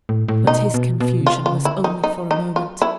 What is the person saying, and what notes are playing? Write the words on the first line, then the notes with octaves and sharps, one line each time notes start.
But his confusion was only for a moment.
A2
A2
C3
B2 D#4
B2
B2
C#3
C3 F4
C#3 F4
D3 E4
F#3 D#4
D#4
D#4
F4
E4